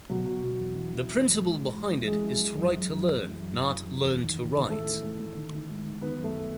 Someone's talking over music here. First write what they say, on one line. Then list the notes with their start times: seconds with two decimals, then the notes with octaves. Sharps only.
The principle behind it is 'write to learn, not learn to write'.
0.10 B2 F#3 F#4
0.26 B2
0.43 B2
0.59 E2
0.75 E3
0.92 E3
1.09 E3
1.24 E3
1.41 G#2
1.58 G#2
1.74 G#2
1.91 E3
2.07 E3 G#3 G#4
2.24 E3
2.40 E3
2.57 F#2
2.72 F#2
2.89 F#2
3.05 F#2
3.23 E3
3.39 F#2
3.55 E3
3.71 E3
3.87 E3
4.04 E2
4.21 D#3
4.37 D#3
4.53 D#3
4.70 A2 A3 A4
4.86 E3
5.03 A2
5.20 A2
5.35 D#3
5.53 D#3
5.69 G#2
5.84 D#3
6.01 D#3 B3 B4
6.17 F#2
6.24 A3 A4